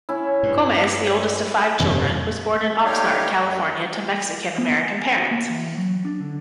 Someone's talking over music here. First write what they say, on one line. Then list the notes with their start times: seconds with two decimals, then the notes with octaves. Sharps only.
Gomez, the oldest of five children, was born in Oxnard, California to Mexican-American parents.
0.09 C#4 E4
0.43 G2
1.79 F1 G2 A#2 C#3
2.85 G3 A3 D#4 G4 C#5 F5
3.41 F#2
4.58 B3
4.82 G#5
5.18 F#4
5.31 A#3
5.50 E3
5.77 F#3
6.05 D4
6.20 D3